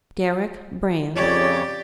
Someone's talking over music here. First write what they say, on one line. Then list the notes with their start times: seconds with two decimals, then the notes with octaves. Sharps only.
Deryck Brand.
1.16 F2 C#3 G4 C#5 D5